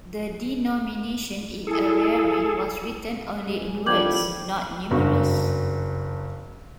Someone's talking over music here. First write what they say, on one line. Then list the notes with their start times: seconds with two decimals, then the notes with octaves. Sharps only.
The denomination in ariary was written only in words, not numerals.
1.67 E4 G#4 A4
3.45 G#3
3.86 E2 D3 F3 G3 D6 G6 G#6 F#7
4.91 F#1 G2 F#4